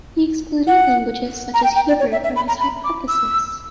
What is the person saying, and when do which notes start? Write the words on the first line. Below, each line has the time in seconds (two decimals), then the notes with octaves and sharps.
He excluded languages such as Hebrew from his hypothesis.
0.67 F#5
1.54 A#5
1.64 G5
1.76 G5
1.88 D5
2.00 C#5
2.12 E5
2.24 E5
2.36 B5
2.48 A#5
2.60 B5
2.84 D6
3.08 E6